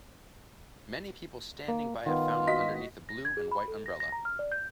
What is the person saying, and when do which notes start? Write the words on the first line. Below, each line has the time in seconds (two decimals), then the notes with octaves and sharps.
Many people standing by a fountain underneath a blue and white umbrella.
1.68 A#3
2.06 D#3 B3 F4
2.47 F#4 D#5 B6
3.09 A#6
3.25 G#6
3.37 G#4
3.51 B5
3.68 A4
3.86 A#6
4.00 A#6
4.12 A#5
4.25 F6
4.39 D5
4.52 G6